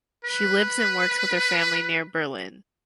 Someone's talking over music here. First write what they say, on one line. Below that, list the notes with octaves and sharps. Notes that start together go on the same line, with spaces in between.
She lives and works with her family near Berlin.
B4